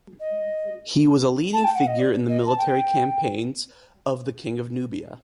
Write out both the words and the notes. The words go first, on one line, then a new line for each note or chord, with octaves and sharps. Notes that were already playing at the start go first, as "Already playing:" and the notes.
He was a leading figure in the military campaigns of the king in Nubia.
D#5
A5
G5
F#5
D#5
D5
D#5
A5
G5